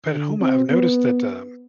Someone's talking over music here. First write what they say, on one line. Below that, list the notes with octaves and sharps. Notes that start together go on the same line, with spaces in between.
but at home, I've noticed that, um,
D3
C4
B3